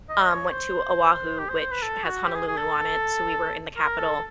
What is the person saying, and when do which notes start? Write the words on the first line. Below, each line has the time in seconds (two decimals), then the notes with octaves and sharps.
um, went to Oahu, which has Honolulu on it, so we were in the capital
0.09 D#5
0.31 C#5
0.53 C5
1.39 G4
1.49 C5
1.60 C5
1.71 B4
1.82 A4
2.04 F#4
2.26 G4
2.36 G#4
2.47 G#4
2.57 A4
3.77 A#4
3.99 A4